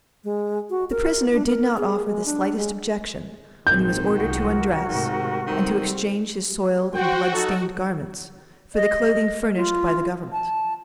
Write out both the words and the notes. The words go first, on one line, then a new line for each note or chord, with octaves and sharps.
The prisoner did not offer the slightest objection when he was ordered to undress, and to exchange his soiled and bloodstained garments for the clothing furnished by the Government.
G#3
F#4
A#4
D4
A#4
G#4
G#3
D4
G#3
A#1 G#2 D#3 C4 G6
C2 F#2 F3 F#4 A#4
G#2 C3 D#3 A3
D#3 G3 A3 C4
F#4 C5 F#5 G5
D#4 A4
D#5
F4
A5